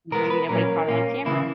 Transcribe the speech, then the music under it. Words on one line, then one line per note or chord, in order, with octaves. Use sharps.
Maybe nobody caught it on camera.
B2 G#3 B3 A#4
B4
A#2 F#3 A#3 C#4 A#4
A#2 A#3 C#4
C#3 E3 A#3 E4